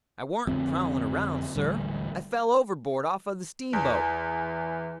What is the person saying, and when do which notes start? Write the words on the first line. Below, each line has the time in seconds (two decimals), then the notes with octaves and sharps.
"I warn't prowling around, sir, I fell overboard off of the steamboat."
0.47 F1 D3 F3 C4
1.55 D#1 A1 D3 G3
3.73 E2 E3